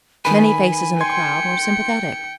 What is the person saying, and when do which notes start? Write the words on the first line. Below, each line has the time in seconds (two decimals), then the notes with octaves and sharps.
Many faces in the crowd were sympathetic.
0.25 D#3 B4 G#5 B5
1.01 G5 C6 G#6 C#7